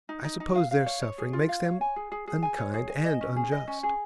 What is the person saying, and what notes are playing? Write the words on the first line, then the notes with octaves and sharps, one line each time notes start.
I suppose their suffering makes them unkind and unjust.'
D#4
D#4
D#4
F5
F5
C#5
C#5
G#4
F4
F5
C#5
G#5
G#4
G#4
G#4
G#5
C#5
G#4
G#5
D#5
C#4
G#4
D#5
C#4
G#4